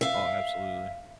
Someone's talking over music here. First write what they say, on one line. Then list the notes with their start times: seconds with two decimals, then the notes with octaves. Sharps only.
Oh, absolutely.
0.01 E5 F5